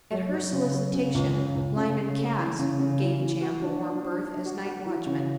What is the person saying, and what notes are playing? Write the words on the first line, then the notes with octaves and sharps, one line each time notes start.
At her solicitation Lyman Cass gave Champ a warm berth as night watchman.
F#3
F#3
C#3
F#3
C#3
C#2
C#3
C#2
C#3
C#3
A3
E3
C#3
C#3
E3
E3
F#4
D4
D4
D4
D4
F#4
F#4
E3
C#3